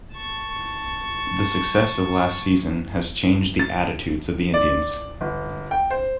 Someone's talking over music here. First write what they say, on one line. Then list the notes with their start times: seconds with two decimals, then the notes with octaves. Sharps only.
The success of last season has changed the attitudes of the Indians.
0.14 A5 C#6
3.59 A6
4.54 D5
5.21 G1
5.71 G5
5.90 C5